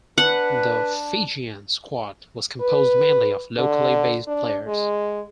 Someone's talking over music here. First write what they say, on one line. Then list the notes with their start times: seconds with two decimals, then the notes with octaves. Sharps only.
The Fijian squad was composed mainly of locally based players.
0.18 D4 B4 F#5
2.61 B4
3.58 D3
4.27 D4
4.67 G#3